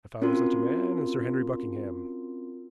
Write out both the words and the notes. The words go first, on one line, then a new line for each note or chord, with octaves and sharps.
I found such a man in Sir Henry Buckingham.
C4 C#4 F4 F#4 A#4 C6